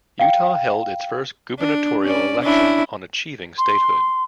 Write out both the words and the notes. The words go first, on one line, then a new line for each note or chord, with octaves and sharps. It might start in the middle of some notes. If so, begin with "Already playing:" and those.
Utah held its first gubernatorial election on achieving statehood.
F5 G5
D4
C#4 D5
C#4 D4 E4
C6